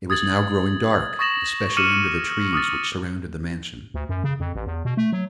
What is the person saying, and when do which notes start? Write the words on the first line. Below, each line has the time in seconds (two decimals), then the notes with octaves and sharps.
It was now growing dark, especially under the trees which surrounded the mansion.
0.10 D#6 G#6 A6 F#7
1.19 C#6 D#6 A6 A#6 E7 F#7
1.77 D6 F6 C#7 D#7 E7 F#7
2.53 D6 D#6 F6 A6
3.94 D2
4.09 F#2
4.24 C#3
4.40 F2
4.55 A1
4.66 E2
4.85 B2
4.97 A3
5.12 F#3